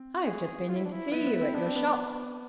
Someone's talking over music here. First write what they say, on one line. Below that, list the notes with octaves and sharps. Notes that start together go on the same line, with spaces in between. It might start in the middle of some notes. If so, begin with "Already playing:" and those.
"I've just been in to see you at your shop."
Already playing: C4
G#4
F4
E4
D4
E4
B3 E4
B3
C4
B3 D4
C4
B3
B3